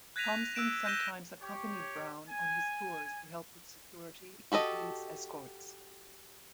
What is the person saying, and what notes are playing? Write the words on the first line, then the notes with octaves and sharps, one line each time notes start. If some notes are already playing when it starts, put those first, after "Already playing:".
Thompson sometimes accompanied Brown on his tours to help with security and police escorts.
F#6 G#6 A#6 B6 D#7 F7
E6 F#6 D7 E7
F#6 G6 A#6 D#7 E7 G7
G4 C#5
G#5
F#4 G4 A4 D#5